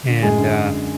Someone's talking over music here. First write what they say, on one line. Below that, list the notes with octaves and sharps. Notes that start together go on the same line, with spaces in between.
And, uh.
D3
F#2 G#3 G#4
D3